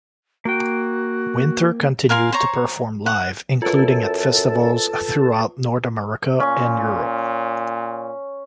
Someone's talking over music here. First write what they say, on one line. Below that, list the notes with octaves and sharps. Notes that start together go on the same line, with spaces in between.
Winter continued to perform live, including at festivals throughout North America and Europe.
A#3 F#4 G5
A#4 F5 G#5 C6
C5 C#5 A#5 C#6
F#5
F#2 F4 A4 B4
A#2 C#4